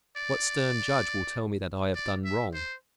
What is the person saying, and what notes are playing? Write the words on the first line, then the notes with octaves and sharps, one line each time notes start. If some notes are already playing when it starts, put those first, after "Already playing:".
What stern judge will tell me that I have done wrong?
D5
D5
E5
C5